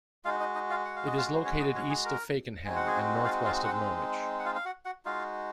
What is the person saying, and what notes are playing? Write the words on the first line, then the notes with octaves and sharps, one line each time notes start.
It is located east of Fakenham and north-west of Norwich.
G#3 D#4 F4 F#4 F5
D#4 D#5
D#4 D#5
F4 F5
F#5
F5
D#5
F4 F5
C5
C#4 C#5
D#4 D#5
C#4 C#5
G#4 G#5
A#4 A#5
G#3 C4 D#4 F#4 G#5
F#5
G#4 G#5
F4 F5
F4 F5
F#4 F#5
F#5
F4 F5
F5
F#4 F#5
F#4 F#5
G#3 D#4 F4 F#4 F5